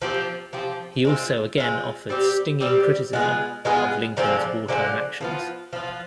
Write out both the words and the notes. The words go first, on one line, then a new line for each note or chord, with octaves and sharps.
He also again offered stinging criticism of Lincoln's wartime actions.
F3 C4 G4
F3 C4 G4
G#3 C4 F4
G#3 C4 F4
G3 C4 G4
G3 C4 G4
G#3 B3 F4 G#4
G#3 B3 F4 G#4
D3 F3 G#3 C4
D3 F3 G#3 C4
F3 B3 F4
F3 B3 F4